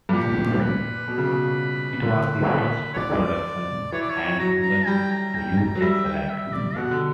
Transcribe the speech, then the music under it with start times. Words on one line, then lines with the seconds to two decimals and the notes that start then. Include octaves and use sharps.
It was the first production handgun to use a slide.
0.09 G2
0.13 A#2 G4
0.60 B4
1.08 B2
1.18 C#3
1.27 B2
2.03 D3
2.93 C#5
2.97 D5
3.92 E3 C#5
4.01 D5
4.10 C#5
4.39 F#3 A#5
4.62 A#5
4.87 G3 G5
5.11 A#5
5.34 G5
5.58 A#5
5.75 F#3
5.82 G3 E5
6.05 G5
6.29 E5
6.53 D5
6.76 B2 F#5
6.91 D3